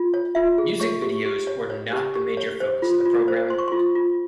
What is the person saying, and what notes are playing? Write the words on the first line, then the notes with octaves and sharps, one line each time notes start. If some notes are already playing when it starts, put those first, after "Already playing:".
Music videos were not the major focus of the program.
Already playing: F4
C#5
F4 E5
G#4
C#5 C#6
G4
G4
C#5
C#5
G4
G4
C#5
C5
F4
F4
C5
C5 C6
C#6
F4 C6
F4